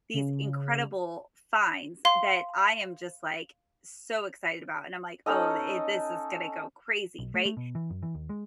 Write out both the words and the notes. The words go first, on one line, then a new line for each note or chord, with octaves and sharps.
these incredible finds that I am just, like, so excited about, and I'm like, "Oh, i this is gonna go crazy," right?
C#3
F5 C6
C#4 D#4 A4 D#5
B1
A3
A3
B2
E3
F#2
E3
D#2
G#3